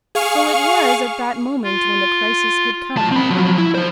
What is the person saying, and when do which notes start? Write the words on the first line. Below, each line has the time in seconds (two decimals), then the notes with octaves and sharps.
So it was at that moment when the crisis had come.
0.15 G#4 F5 C#6 F6
1.63 F4
2.97 A2 A5
3.12 C4 B5
3.30 F3 F#3
3.58 E4
3.75 F3 C5